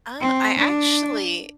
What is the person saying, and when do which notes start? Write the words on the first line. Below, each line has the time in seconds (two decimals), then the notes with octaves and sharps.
Um, I actually
0.21 C4
0.58 D4